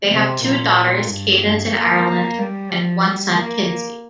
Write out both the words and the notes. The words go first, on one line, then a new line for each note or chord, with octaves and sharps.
They have two daughters, Cadence and Ireland and one son Kinzy.
C3
A#2
G2
G2
A#3
G3
F3
G3
A#3